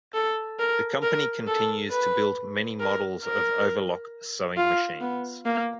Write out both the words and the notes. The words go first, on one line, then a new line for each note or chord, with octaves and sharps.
The company continues to build many models of overlock sewing machines.
A4
A#4
A#4
A4
B4
A#4
A#4
F4
B3
A#3